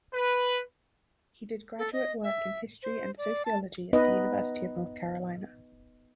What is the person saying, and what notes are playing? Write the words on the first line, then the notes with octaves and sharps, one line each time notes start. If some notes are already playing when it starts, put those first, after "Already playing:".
He did graduate work in history and sociology at the University of North Carolina.
B4
A4
D#5
E5
C5
D5
A5
B3 D#4 B4 D#5